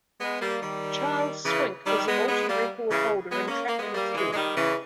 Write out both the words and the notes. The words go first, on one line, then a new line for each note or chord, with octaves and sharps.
Charles Swink was a multi-record holder in track and field.
G#3 B3
G3 A#3
D#3 G3
C#3 E3
D#3 G3
G#3 B3
G#3 B3
G3 A#3
C#3 E3
G#3 B3
A#3 C#4
A#3
G#3 B3
G3 A#3
E3 G#3
G#3
D#3 G3
C#3 E3